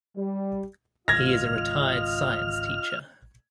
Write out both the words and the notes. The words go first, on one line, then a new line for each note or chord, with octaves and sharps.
He is a retired science teacher.
G3
G#1 C#2 F4 D#5 F6 G#6 A#6